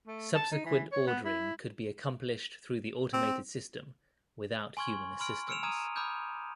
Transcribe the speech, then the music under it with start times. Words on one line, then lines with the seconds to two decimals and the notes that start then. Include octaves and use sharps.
Subsequent ordering could be accomplished through the automated system without human assistance.
0.07 A3
0.35 A5
0.52 D#4
0.65 E3
0.92 C#5
1.07 B3
1.25 E4
3.13 C4
4.77 G#5 C6 C#6 F6 G#6 F#7
5.19 B5 C6 F6 D7
5.48 E6 F6 C#7 D7 E7 F7
5.63 G#5 A#5 D#6 F6 G#6 D#7
5.96 B5 D6 D#6 F6 G6 G#6